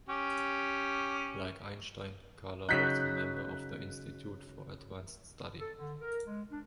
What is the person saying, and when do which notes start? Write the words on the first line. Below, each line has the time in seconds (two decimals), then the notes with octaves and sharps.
Like Einstein, Kahler was a member of the Institute for Advanced Study.
0.09 C#4 G4
2.69 C#3 F#3 D#4 F#6 G6 B6
5.59 A4
5.78 D3
6.01 A#4
6.26 G#3
6.52 D4